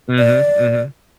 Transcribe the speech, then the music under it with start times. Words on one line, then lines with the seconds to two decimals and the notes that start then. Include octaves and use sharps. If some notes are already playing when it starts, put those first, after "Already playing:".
Mhm, mhm.
0.18 D5